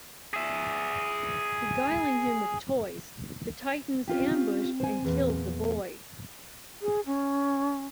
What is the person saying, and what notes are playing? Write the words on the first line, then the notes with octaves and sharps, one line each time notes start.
Beguiling him with toys, the Titans ambushed and killed the boy.
G#4 E5
C4 C#4 F4 G4
C5 G#5
E2 A#2
G#4
C#4